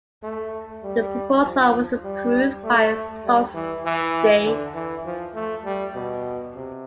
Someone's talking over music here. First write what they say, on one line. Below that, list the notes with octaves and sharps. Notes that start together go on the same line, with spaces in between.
The proposal was approved by Sault Ste.
A3
G3
F3
G3
A3
G3
E3
E3
D3
E3
F3
A3
G3
B2
C3